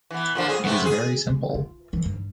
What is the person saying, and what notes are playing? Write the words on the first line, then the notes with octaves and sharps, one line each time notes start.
It is very simple.
E3 B3
A#2 D3 F3
F2 G#4
C3 A3 B3
G#4
C#2
F4
E3 F3
G2